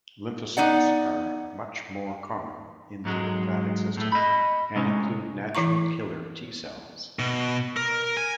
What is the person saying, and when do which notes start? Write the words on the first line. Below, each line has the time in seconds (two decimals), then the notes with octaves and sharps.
Lymphocytes are much more common in the lymphatic system, and include natural killer T-cells.
0.57 B3 D#4 D5 F#5
3.05 G#2 F#3 G#3
3.97 A2 A3
4.12 D#5 B5
4.76 C3 G#3 C#4
5.55 E3 E4 A#5 C#6
7.19 B2
7.77 A#4
8.17 G#5